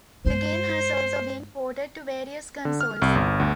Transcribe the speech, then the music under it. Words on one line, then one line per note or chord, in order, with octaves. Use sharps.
The game has also been ported to various consoles.
G2 G#3 C5
D3
F6
C2
G1
D2